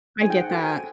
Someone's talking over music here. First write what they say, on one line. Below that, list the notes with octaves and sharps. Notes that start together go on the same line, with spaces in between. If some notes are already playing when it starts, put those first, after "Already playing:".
I get that.
D#4 G#4 C5 G#5
G5
F#5
F#4 A4 C5 G5
G#5